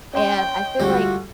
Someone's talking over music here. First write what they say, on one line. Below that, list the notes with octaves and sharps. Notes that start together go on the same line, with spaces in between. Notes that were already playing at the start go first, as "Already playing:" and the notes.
and I feel like
C#4 D#5 G5 C6
D2 G3 G#3 F4 F#4